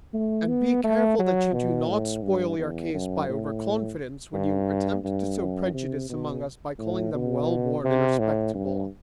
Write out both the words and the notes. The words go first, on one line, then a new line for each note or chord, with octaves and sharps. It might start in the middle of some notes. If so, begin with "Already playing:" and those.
And be careful that you do not spoil your case by over-confidence when you attempt to sow prejudice among us by calling them well-born and respectable!
A3
B3
A3
F#3
B2
A2
G2
E2
F#2
A2
G2
G2
F#2
C3
B2
A2
B2
C3
A2
G2